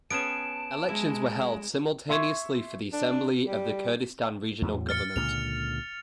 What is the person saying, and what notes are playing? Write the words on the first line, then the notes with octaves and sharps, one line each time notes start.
Elections were held simultaneously for the assembly of the Kurdistan Regional Government.
B3 C#4 G#4 A5 D7 E7
G#3 E4
E5 C6 C#6 G#6
D4
G3
E2 A2 F#3
F6 A6 C#7
C#2 A#2 D3 F7